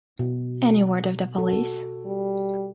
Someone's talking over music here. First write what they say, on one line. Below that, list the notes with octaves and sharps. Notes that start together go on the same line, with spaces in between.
Any word of the police?
B2
F#4 A4
G3